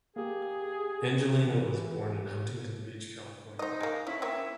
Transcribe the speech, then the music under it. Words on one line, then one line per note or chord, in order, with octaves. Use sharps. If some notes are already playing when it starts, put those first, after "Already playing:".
Angelina was born in Huntington Beach, California.
A#3 G4 G#4
E3
D#4 C5 D#5
G#3 A#3
C#4 E4
A#3 C4 C#4 E5